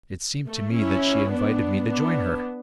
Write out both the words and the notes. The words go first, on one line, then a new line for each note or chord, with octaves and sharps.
It seemed to me that she invited me to join her.
A3
C#4 E4
B3 D4
B3 D4